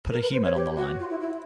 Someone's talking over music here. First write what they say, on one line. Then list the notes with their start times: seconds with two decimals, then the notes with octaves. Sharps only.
Put a human on the line.
0.11 A#4
0.22 B4
0.32 C5
0.43 C#5
0.55 G4
0.77 F#4
0.99 F4
1.10 E4
1.20 E4